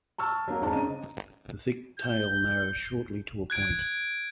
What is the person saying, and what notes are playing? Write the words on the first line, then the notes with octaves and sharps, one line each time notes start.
The thick tail narrows shortly to a point.
A5 C#6 E6 F6
F#3 A#3
E1 G#2 C4 D5 A5 A6
C#3 D4 D#5 A#5 D#7
G6
F#6 G#6 D7